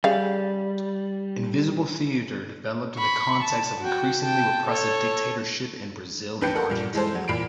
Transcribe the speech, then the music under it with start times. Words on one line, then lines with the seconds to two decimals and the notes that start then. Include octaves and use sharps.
Invisible theatre developed in the context of increasingly repressive dictatorship in Brazil and Argentina.
0.04 C#3 G3 F5
2.96 B5 C#6
3.43 A5
3.81 F#4 G5
4.22 G5 A5
4.68 A4 C#5
6.41 A#1 D4 B4 G5 G6 C#7
6.55 A#3 A4 A#4 F#5
6.70 G2 A#2
6.93 E3 G#3 A4 C5
7.15 F#3
7.28 E2 A#2 B5 C7 D7